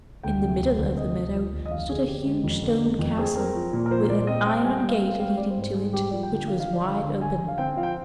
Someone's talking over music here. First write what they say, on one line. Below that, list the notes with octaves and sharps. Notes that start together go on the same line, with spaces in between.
In the middle of the meadow stood a huge stone castle, with an iron gate leading to it, which was wide open.
D2 G5
C3
D2
D2
C3 D#5
D2
F3
D2
D#5
F2 F5
D3 G#4
D3 G4
G#3
F2
D3
G#3
F2
C4 G#4
C4 A#4
F3
A#2
A#4
F3 C5
A#2 D5
C4 D#5
C4 G5
G3 G#5
G5
G3 F5
C4 F5
G3 F5
C4 D5
C5
G#2
C5
G3 G#4
G3 G4
F3 D5
G5
D3
G5
F3 F5
F5
F3
D5
D3 F5
D3
D3 G#5
D3
F5
C4 G5
F3 F5
G5